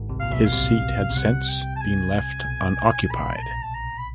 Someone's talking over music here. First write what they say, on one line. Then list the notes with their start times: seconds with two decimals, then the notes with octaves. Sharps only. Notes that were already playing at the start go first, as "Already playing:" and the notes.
His seat had since been left unoccupied.
Already playing: G#1 G#2
0.09 C2 C3
0.20 A#2 F5
0.31 B1 B2 E5
0.46 F5
0.52 C2 C3
1.10 C#3
1.16 C2 C3 F#5
1.49 G5
1.76 A5
1.81 G#5
2.46 B1 B2
3.10 A#1 A#2 B5
3.37 A5
3.42 A#5
3.62 A5
3.74 A#5
3.98 B5